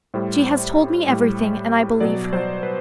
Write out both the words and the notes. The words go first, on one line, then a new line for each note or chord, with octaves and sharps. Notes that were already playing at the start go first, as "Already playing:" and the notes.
She has told me everything and I believe her.
A2 G3 C5
A2 G3
B2 F#3 D5
C5
B4